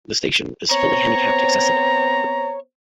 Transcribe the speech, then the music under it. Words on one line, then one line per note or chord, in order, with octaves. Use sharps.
The station is fully handicapped accessible.
B3 C4 C5 C#5 A#5